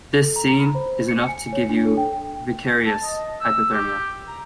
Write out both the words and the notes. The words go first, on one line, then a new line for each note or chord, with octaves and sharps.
This scene is enough to give you vicarious hypothermia.
A4
A#5
B5
C5
C#7
G#5
C#5
D4
A4
G5
A5
D#5
E6
G4
A#5